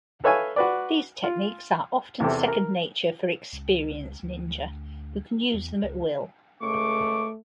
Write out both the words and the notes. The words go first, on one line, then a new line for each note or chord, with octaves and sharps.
These techniques are often second-nature for experienced ninja, who can use them at will.
A4 B4 C#5 E5 F5 G#5
F#4 B4 D5
F4
E2 C3 G4 A4
A#4
C#2
D2
E2
C#2
C#2 A3 C#6 D6